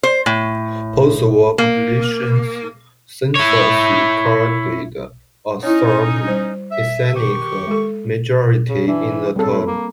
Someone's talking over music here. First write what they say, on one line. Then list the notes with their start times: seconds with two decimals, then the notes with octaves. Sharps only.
Post-war population censuses recorded a Serb ethnic majority in the town.
0.03 C5
0.26 A2
1.58 A#3
3.35 E4 C#5
5.63 C#4 D#4 E4 C#5
6.27 G3 C5
6.71 E5
7.14 D#3 G4 C#6
7.67 G#3 A4
8.69 C#3
8.88 E3 D4
9.36 C#3 G3 C4 A4
9.51 A2 B5
9.67 A#3